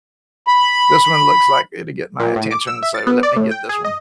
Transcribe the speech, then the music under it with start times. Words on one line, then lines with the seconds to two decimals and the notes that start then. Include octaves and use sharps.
this one looks like it'll get my attention, so let me get this one."
0.48 B5
2.20 A#2
2.36 A2
2.51 D6
2.67 E6
2.83 E5
2.95 A6
3.07 B3
3.23 D5
3.36 A2
3.51 G5
3.69 G#4
3.85 D#5